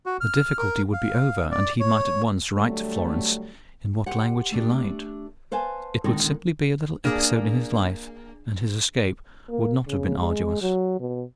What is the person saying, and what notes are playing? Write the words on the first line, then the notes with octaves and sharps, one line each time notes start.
The difficulty would be over, and he might at once write to Florence in what language he liked. It would simply be a little episode in his life, and his escape would not have been arduous.
F#4
F6
A#4
F5
D5
C#5
D3 F#3 G3 A3
G4 C5 F#5
A3 D4 G4
B4 C5 F5 G#5 A5
A#2 D3 D#3 G#3 C4 A4
A#3 D4 G#4 D5
A#3
C#3
G#3
F#3
B2